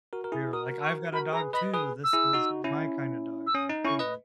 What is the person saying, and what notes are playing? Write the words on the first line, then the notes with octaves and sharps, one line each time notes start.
Yeah, like, "I've got a dog too. This is w my kinda dog and what they like."
F#4 A#4
A#4
E4 G#4
F#4 A#4 D#6
C#6
F#4 A#4 B5
G#4 B4 A#5
B4 D#5 B5
G#4 B4 D#6
E6
E4 G#4
D#4 F#4
C#4 E4
E6
C#4 D#6
D#4
C#4 E4 C#6
B4 D#5